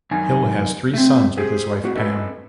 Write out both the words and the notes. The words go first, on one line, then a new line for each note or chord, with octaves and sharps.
Hill has three sons with his wife Pam.
F#2 D#3 G#5
A3 C4
G4 G#4 C5
A2 F#4
C#4 A4 B4 D#5